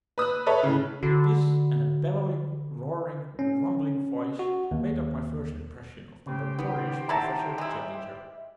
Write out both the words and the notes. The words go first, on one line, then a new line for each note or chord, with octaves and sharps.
This and a bellowing, roaring, rumbling voice made up my first impression of the notorious Professor Challenger.
B4 D#6 E6 F#6
A4 B4 C#5 E5
A2 C#3
D3 F#4
C#4
F#4
D#2
C#3 G4 C5 G5
D#3 B3
F#3 E4 A5 A#5
G#3 E4